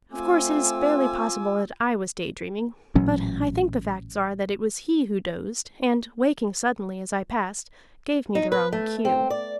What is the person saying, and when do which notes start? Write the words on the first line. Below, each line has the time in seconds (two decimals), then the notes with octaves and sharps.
Of course, it is barely possible that I was daydreaming, but I think the facts are that it was he who dozed, and waking suddenly as I passed gave me the wrong cue.
0.11 A3 C4 F4 G#5 D6 E6
2.95 A1 A#2 F#3 C#4
8.35 D#4
8.52 B4
8.72 A3
9.05 C4
9.30 D5